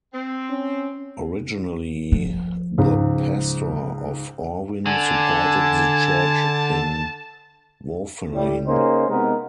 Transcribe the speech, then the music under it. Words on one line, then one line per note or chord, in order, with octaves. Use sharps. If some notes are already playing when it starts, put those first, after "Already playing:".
Originally the pastor of Orvin supported the church in Vauffelin.
C4
C#4
F3
C#2 G#2
D3 G#5 A5
A2 G3
C#3 A#3 C#4 D#4 C5
C3 G#3 B3 D#4 A#4